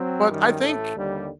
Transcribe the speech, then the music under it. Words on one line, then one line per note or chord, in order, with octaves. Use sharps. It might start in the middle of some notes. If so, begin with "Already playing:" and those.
But I think
Already playing: F#3 C4
F#2 D#3 G3
A1 A2 A3
D#2 D3 G3